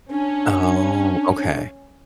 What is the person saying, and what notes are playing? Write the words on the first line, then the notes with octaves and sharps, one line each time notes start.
Oh, okay.
C#4 D4